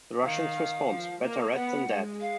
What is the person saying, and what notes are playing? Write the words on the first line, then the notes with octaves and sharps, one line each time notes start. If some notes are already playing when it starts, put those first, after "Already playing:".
The Russian's response: Better red than dead.
D#3 F5
F3
A#3
B3 F#5
G#3
F5